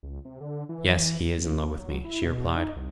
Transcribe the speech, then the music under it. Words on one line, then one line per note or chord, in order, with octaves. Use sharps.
"Yes, he is in love with me," she replied.
C#2
C3
D3
E3
F#2
A#3
F#3
E4
B2
D#4
C2